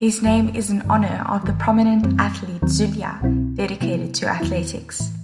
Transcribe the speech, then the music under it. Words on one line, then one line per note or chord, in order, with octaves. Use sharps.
His name is in honor of a prominent athlete Zulia dedicated to athletics.
G1 F#2 F#3
G2 D#3 G3
G1 G2 D#3 F#3
F#2 E3 G3 C4
D#2 D#3 F#3 C4
C2 B2 F#3 C4 E4
C3 F#3 B3 E4
E2 D#3 F#3 B3 E4
A2 E3